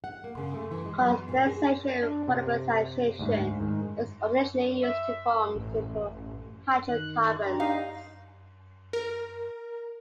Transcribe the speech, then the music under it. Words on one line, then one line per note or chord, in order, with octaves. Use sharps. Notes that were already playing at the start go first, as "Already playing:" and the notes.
Condensation polymerization is occasionally used to form simple hydrocarbons.
F#5
A#3
C#3
A3
E3
G#3
F#3
B3
A#2
G#4
D4
C3
D2 G#2
G#2 D#3
E5
A1
D#3 F#6
D4 G4 A#5
D#4 F5
A#4